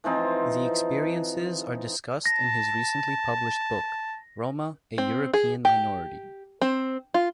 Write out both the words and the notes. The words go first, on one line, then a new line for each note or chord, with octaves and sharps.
The experiences are discussed in his recently published book: Roma - A European Minority.
E3 F3 C4 D#4
A5 A#6
C4
G#4
G4
C4
F4